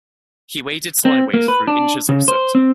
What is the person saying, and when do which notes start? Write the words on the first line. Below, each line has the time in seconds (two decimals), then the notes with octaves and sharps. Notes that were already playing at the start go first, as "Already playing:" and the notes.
He waded sideways through inches of soot.
1.05 C4
1.34 A#3
1.48 B4
1.67 D4
2.09 C#3
2.28 C5
2.55 C4